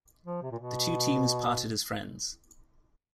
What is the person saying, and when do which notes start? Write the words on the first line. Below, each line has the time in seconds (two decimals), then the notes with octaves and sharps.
The two teams parted as friends.
0.25 F3
0.42 C3
0.52 A#2
0.59 B2